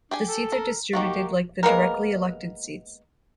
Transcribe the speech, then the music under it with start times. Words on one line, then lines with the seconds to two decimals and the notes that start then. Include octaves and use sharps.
The seats are distributed like the directly elected seats.
0.11 D4 G4 G#4 G#5
0.27 A4
0.52 A#4
0.93 D#3 A#3 F#4 G4
1.63 G#3 A#3 B3 A#4